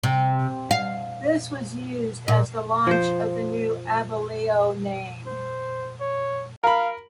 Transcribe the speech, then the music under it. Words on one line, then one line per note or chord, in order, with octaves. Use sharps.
This was used as the launch of the new Abellio name.
C3
F5
A#2
F3 C5
C5
C#5
A#4 F5 B5